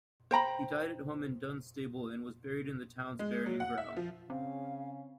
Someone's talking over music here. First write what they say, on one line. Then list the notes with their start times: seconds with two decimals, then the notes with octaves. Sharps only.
He died at home in Dunstable and was buried in the town's burying ground.
0.31 C5 G5 A#5 B5
3.19 G#3
3.46 F#3
3.60 F#5
3.78 E5
3.97 F3
4.30 C#3 C4 C#4 F5